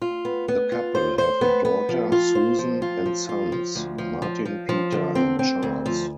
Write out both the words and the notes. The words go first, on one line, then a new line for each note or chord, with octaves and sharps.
The couple have a daughter Susan, and sons; Martin, Peter and Charles.
F4
B3
B3
F4
C5
C5
B3
B3
F3
F4
C5
F3
F4
F3
F4
F3
D2
F3
F3
F3
F3
D3
C4
C4
D2
F3